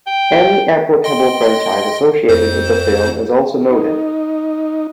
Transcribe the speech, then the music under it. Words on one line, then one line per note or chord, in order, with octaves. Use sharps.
Any applicable franchise associated with the film is also noted.
G5
D#5 G5 C6
F2 C5 G6
D#4